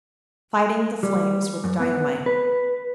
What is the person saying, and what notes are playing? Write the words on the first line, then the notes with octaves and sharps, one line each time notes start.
Fighting the Flames With Dynamite.
G3
F#2
B3
B4